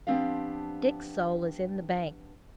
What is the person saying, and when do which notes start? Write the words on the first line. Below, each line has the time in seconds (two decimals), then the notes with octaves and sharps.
Dick's soul is in the bank.
0.07 F3 B3 C4 D4 G4 F5